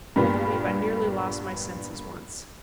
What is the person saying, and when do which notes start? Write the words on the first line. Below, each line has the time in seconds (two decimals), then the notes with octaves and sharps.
I believe I nearly lost my senses once.
0.16 G2 A#2 G3 A#3 B3 F4